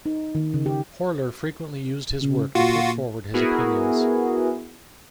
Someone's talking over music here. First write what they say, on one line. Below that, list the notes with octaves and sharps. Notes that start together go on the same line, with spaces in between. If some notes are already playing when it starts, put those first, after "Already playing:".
Horler frequently used his work to put forward his opinions.
D#4
D#3
C#3
G4
C#3
A#2 F4 F#4
B3 E4 F#4 G#4 A#4